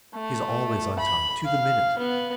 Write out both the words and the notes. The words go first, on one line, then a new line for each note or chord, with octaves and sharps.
She's always on time, to the minute.
A3
B5
F5
B3